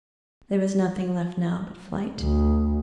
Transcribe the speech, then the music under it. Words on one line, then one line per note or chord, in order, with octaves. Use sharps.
There was nothing left now but flight.
D2